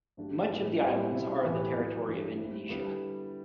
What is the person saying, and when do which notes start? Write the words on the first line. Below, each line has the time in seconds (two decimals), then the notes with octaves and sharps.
Much of the islands are the territory of Indonesia.
0.17 G2 F#3 A3 D4 G4
0.49 A2 F#3 B3 E4
0.80 A2 G3 C4 E4
1.12 B2 G3 C4 E4
1.43 A2 E3 B3 E4 G4
1.75 A2 F#3 B3
2.07 G2 E3 G3
2.38 G3 C4 E4
2.69 D3 G3 B3 E4 A4